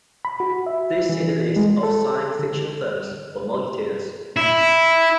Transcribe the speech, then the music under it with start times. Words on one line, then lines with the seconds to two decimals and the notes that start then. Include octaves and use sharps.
Please see the list of science fiction films for more details.
0.25 B5
0.40 F#4
0.66 E5
1.09 E3
1.56 G#3
1.83 A4
2.39 D3
4.36 E4